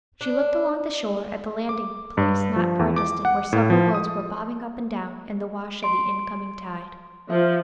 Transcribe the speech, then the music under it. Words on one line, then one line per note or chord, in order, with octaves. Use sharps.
She looked along the shore at the landing-place not far distant where several boats were bobbing up and down in the wash of the incoming tide.
D4
D6
G2
F3
E2
D6
F#5
A2
F3
D#6
C6 D7
F3 E5